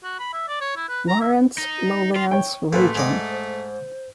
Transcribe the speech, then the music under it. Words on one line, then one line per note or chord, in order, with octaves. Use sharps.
Lawrence lowlands region.
F#4
B5
E5
D5
C#5
E4
B4
A#5
E5
D#4
F4
C#5 G5
A1 A3 A#3 A4 B4 C6
G#2 D5 D#5
C5